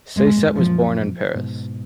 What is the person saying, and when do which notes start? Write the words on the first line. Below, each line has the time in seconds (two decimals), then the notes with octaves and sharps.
Saiset was born in Paris.
0.16 F#2 G#3
0.26 F2 G#2
0.36 F#2 A#2
0.46 F2 G#2
0.56 F#2 A#2 F3
1.35 G#2 B2